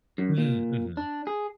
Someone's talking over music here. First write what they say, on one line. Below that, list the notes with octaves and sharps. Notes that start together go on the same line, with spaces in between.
Mm, mhm.
F#2
A#2
D4
G#4